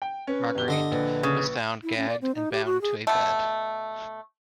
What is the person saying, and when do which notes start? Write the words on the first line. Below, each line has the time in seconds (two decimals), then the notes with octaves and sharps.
Marguerite was found gagged and bound to a bed.
0.02 G5
0.27 C#4 B4
0.55 G1 G4 G7
0.68 D3 D#5 D#6
0.91 A#1 B4
1.23 C#3
1.83 E4
1.97 C#4
2.09 D5
2.22 C4
2.35 D#4
2.52 G4
2.65 F#4
2.82 G#4
3.07 B2 A3